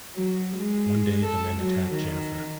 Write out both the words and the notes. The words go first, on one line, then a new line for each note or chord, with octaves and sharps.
One day, the men attack Jennifer.
F#3
G#3
A4
F#3
D#3